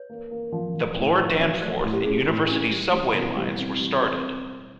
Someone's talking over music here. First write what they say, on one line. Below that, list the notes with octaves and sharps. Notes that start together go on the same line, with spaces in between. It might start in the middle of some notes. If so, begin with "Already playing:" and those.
The Bloor-Danforth and University subway lines were started.
Already playing: B4 C#5
A#3
A#3
F3
F3
A2
F3
F#3 C#5 D#5
A3 C5 D5
A2 F#4
G4
C#4 G#4
A2 F#4
C#4 D4
G3
G3
B2
G3
C4
G3
C4 F#4